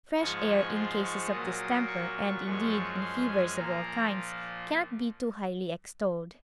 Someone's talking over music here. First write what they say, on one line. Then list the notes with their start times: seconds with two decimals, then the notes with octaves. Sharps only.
Fresh air in cases of distemper, and, indeed, in fevers of all kinds, cannot be too highly extolled.
0.18 G#2 F3 G#3 C#6
0.74 C6
1.03 C#6
1.31 A#2 F#3 A#3 D#6
1.87 C#6
2.43 F#2 F3 G#3
3.00 C6
3.29 G#5
3.56 A#2 F3 A#3 A#5